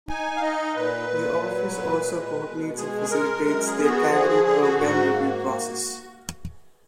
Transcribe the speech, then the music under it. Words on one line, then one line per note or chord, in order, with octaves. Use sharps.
The office also coordinates and facilitates the academic program review process.
D#4 G#5
F5
D#4 D#5
A#2 B4
A#2
F#3
A#2
G#3
B2
G#3 G#4
G#4
G#3 A#4
F#2 A#4
G#4
B3
G#4
F#4
F3 G#4
F#4
G#4
D3 G#4
F#4
G#2 F#4
A#3
A#3